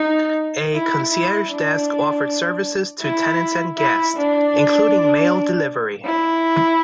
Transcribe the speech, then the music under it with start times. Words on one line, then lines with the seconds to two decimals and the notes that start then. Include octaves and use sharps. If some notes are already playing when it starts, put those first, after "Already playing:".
A concierge desk offered services to tenants and guests including mail delivery.
Already playing: D#4
0.74 E4
1.12 E4
1.50 D4
3.02 E4
3.78 E4
4.16 D4
6.05 E4